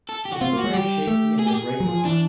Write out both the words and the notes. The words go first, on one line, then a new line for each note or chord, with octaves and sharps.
It is very shaky and irregular.
A4
G4
F#4
C4 F4
A#3
F#4
G#3
G3 G4
A3
G#4
G4
G#4
F#3
F3
E3 D4